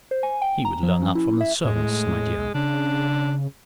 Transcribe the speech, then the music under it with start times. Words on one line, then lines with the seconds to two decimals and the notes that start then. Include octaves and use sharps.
"He would learn that from the servants, my dear."
0.11 C5
0.23 G#5
0.42 G5
0.65 A#5
0.83 F3
1.03 C#4
1.15 E4
1.41 E5
1.65 A2 G#3
2.38 B1
2.55 C#3 D4